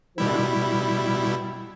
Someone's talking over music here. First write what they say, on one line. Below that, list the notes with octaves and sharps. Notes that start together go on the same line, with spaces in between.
You know?
B2 G3 E4